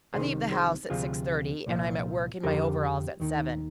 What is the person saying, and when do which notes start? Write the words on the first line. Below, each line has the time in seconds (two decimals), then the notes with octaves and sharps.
I leave the house at six-thirty, and I'm at work in my overalls at seven.
0.14 C2 C3 D#3 G#4 C5
0.52 G#4 C5
0.90 D2 C3 F3 F4 G#4
1.66 C2 A#2 F3
2.43 F2 D3 F3 G4 A#4
3.20 D#2 D#3